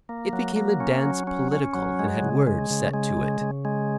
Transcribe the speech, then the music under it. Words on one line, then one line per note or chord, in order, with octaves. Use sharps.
It became a dance political, and had words set to it.
A#3
F#3
A#3
C#4
F#3
C#4
C#4
F#3
G#3
C#3
G#3
C#3
G#3
C#3
C#3
G#3